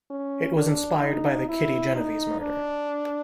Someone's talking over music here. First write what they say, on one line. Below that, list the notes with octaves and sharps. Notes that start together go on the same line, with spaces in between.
It was inspired by the Kitty Genovese murder.
C#4
D4
D#4
E4
D#4
D4